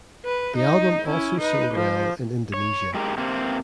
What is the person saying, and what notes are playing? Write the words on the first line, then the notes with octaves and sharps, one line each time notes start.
The album also sold well in Indonesia.
B4
D#4
C#4 E4
D#4 B4
F3
C#5
G#3 G4 A#4
C3 A#3 C4